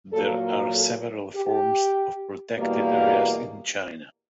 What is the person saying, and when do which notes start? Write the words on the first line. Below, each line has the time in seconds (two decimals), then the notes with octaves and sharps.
There are several forms of protected areas in China.
0.13 A#2 F#3 A#3 A4
0.43 A#4
0.75 A4
1.36 G4
2.58 E2 B2 G3 A#3